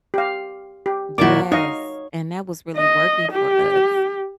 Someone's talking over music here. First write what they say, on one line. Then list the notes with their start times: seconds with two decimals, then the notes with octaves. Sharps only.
Yes, and that was really working for us.
0.14 G4 F5
0.86 G4
1.18 A#2 D#3 E4 F#4 D6
1.52 D#4 C#5 D#5 F5
2.77 D#5
3.32 G4